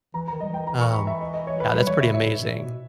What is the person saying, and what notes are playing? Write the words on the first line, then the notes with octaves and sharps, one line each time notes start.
Um, yeah, that's pretty amazing.
E3 A#5
D#3 A#5
G3 D#5
E3 G5
A#5
C#6
B5
E5
D#5
D#5
C#5
B4
G3 B4
E3 C#5
C#3 E5
A#2 E5
G#2
G#2
A#2
B2